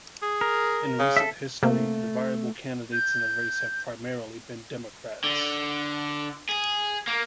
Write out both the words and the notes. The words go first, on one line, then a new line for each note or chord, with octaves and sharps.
In recent history, the viable candidates in the race have primarily been Democrats.
G#4
A#4
C#3
A4 E5
C3 A3 A#3
G6
D3
G#4
A#3